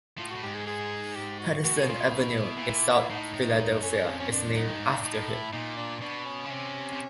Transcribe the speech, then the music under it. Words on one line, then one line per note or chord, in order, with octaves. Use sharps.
Pattison Avenue in South Philadelphia is named after him.
A2 F4
A2 F#4
G#2 G4
G#4
G#4
G4
F#4
A2 F#4
B2
C#3 F4
B2
E4
D#4
E4
B2
A#2
A2 D#4
A2
G#2 D#4
G2
F#2 C#4
G2
F2 C#4
C#4
D4
F#2 D#4
G2
G#2
A2
D4
A2 D#4
E4
A#2 D#4
D4
B2 D4
C#4
C#3
C3
C3